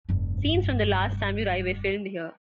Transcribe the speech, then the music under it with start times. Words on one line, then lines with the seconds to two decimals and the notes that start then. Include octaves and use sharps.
Scenes from "The Last Samurai" were filmed here.
0.09 F1 G2